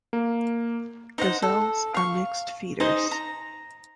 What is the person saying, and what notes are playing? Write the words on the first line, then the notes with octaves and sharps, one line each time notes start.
Gazelles are mixed feeders.
A#3
D#4 C5 F#5
A4
F5 C#6
D#4 G#4 C5 D#5
A#5